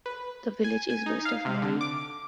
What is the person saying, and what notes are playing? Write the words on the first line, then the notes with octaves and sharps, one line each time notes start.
The village is west of Muri.
B4
G#5
G#5
D#4
F5
C3
D3
D6